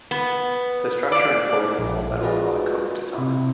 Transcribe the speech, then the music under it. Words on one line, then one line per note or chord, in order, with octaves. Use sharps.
The structure employed an all-metal monocoque design.
B3
D5
A#1
F4 F#4 G#4 B4 D5 D#5
C3 E4